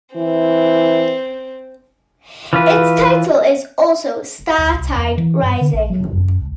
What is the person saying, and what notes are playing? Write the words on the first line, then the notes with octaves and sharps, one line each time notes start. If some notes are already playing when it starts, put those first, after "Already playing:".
Its title is also "Startide Rising".
E3 C4
E3 F4 B4
D2
C2
E2
E3
G2
D3
A#1
F#3
F#2
C#2